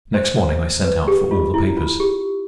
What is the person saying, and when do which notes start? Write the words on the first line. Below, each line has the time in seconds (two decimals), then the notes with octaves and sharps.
Next morning I sent out for all the papers.
0.14 C5
0.84 B4
1.08 G4
1.31 F4
1.54 E4
1.77 F4
2.00 G4